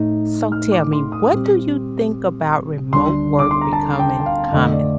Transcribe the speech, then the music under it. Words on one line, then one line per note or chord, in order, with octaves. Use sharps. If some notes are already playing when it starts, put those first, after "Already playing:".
So tell me, what do you think about remote work becoming common?
Already playing: A2 A3 D#4
F6
D6
C6
D#6
A#2 G3 C4 G4
D2 D3 G3 D4 C6
D6
C6
A#5
A5
G5
G5
F5
F2 D3 A3 D#5
D5